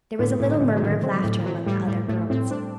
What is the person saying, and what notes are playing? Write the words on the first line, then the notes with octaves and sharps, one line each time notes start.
There was a little murmur of laughter among the other girls.
A2 D3
A2 C3
D3
A2
F#3
A2 D#3
C4
F#3
A2
D#3
F#3 C4
A2 G3
A2 G3
A2 A3
A2 C4
C4 D4